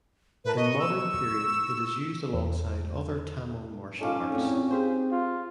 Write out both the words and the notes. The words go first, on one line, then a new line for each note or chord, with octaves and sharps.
In modern period it is used alongside other Tamil martial arts.
A2 A#4 B4 A5
D#5 C#6
E6
E2
C#4 D#4 F4 A4 F5 D6
E2 A2 C4
G4 G#4 C5
F4